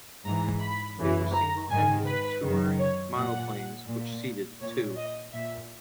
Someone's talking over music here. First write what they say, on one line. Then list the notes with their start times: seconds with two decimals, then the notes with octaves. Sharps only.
They were single-engined touring monoplanes which seated two.
0.25 G#2 E3 A#5
0.61 B5
0.97 F#2 C#3 E3
1.34 A#5
1.70 G#2 D#3 G#5
2.06 B4
2.42 F#2 D#3
2.79 C#5
3.15 A#2 F#5
3.88 A#2
4.60 A#2 C#5
4.97 D#5
5.33 A#2 E5